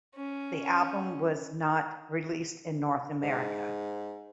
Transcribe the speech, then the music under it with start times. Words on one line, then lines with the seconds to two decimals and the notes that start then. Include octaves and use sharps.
The album was not released in North America.
0.15 C#4
3.23 G#2